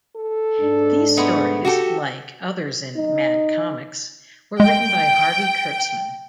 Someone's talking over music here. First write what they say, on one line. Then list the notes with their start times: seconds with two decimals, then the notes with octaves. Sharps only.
These stories, like others in "Mad" comics, were written by Harvey Kurtzman.
0.16 A4
0.61 G#2 D4
1.17 G#3 A3 B3
1.65 F#4 G4 A4
2.96 D#4
4.60 G#3 G5